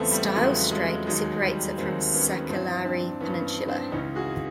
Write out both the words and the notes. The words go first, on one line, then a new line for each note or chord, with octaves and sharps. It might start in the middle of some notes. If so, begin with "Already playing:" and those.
Styles Strait separates it from Sakellari Peninsula.
Already playing: E2 C#3 F3 A3 B3 C4
G3 A3
E2 C#3 F3 F#3 G#3
F#3 G#3
D#2 D#3 F#3 G#3
G3
D#2 D#3 A#3 C4
B3 C#4
G2 E3 C4 D4
C4 D4
G2 E3 B3 C#4
C4 D4
C#2 C#3 E3 C#4 D#4
F#4 G#4